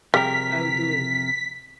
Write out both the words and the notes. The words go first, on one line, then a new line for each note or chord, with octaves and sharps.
I'll do it.
F2 C3 G3 G#3 A#4 B6